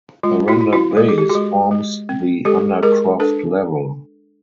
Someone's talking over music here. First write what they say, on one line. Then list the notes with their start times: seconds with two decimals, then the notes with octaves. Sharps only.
A rendered base forms the undercroft level.
0.23 G#3 F4
0.48 E4 F#4
0.61 E4
0.73 E4 F#4
0.97 G#3 A4
1.08 G#4
1.18 G4
1.29 F#4 G#4
1.35 G#3
1.71 G#3
2.09 C4
2.45 G#3 G4 A4
2.83 G#3 G#4 A#4
3.20 D4 A4 B4